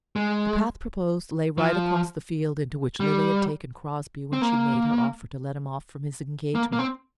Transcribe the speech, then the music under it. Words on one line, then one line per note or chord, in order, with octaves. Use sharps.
The path proposed lay right across the field into which Lily had taken Crosbie when she made her offer to let him off from his engagement.
G#3
F3
G3
C4
A#3
A#3
A#3
C4